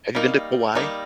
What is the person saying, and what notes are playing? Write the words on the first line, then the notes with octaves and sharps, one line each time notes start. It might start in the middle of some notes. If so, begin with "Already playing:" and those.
Have you been to Kauai?
G3 A#3 D#4
G3 A#3 D#4